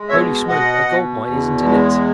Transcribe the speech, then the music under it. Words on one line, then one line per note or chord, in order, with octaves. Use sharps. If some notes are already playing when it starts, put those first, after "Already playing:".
Holy smoke, a gold mine isn't in it!
Already playing: G#3
B2 C#5 E5
B2 D#5 F#5
B2
E2
G#3